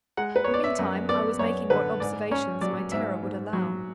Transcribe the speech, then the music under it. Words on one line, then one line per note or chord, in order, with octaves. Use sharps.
Meantime I was making what observations my terror would allow.
G#3 F#5
B4
B3 C#5
D5
E5
F#2
B3 D5
F#2 C#5
D3 B4
G#2 D5
C#4 C#5
F#3 D5
G#2 E5
G#2
F#3